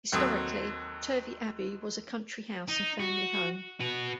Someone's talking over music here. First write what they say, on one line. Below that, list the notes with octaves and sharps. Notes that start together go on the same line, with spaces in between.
Historically, Turvey Abbey was a country house and family home.
D#2 F#3 C4 A4 D#6
D#4
F#4
F#4 B4